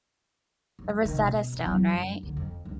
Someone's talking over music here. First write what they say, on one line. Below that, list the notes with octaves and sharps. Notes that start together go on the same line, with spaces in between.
the Rosetta Stone, right?
F#2
D#3
B2
F#2
F#3
F#2
D2
F2
C#2